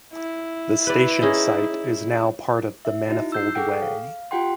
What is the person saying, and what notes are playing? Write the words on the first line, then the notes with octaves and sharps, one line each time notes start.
The station site is now part of the Manifold Way.
E4
B4 D5
C#4 D#4 G#4
E5
D#4 E4 F#4
E6 G6 C7
G#4 A4 F#5 G5
F5
F4 G4 F#5 G5 C6